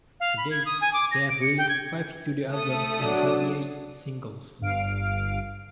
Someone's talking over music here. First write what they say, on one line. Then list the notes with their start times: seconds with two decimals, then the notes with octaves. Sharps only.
To date, they have released five studio albums and twenty-eight singles.
0.20 F5
0.37 B5
0.51 G#6
0.66 D#6
0.81 G#5
0.93 D6
1.11 A#6
1.30 D7
1.41 C#7
1.58 G5
1.69 G#6
2.51 A3 A4 D#6
3.00 F#3 D4
4.60 G1 G2 F5 D7